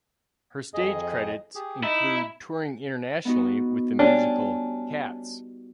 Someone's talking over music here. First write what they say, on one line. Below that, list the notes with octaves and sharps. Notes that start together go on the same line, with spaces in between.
Her stage credits include touring internationally with the musical "Cats".
F2 G#4 D#5
G4 G#4
D#4 E4 E5
B3 D#4 F#4
G3 C#4 D4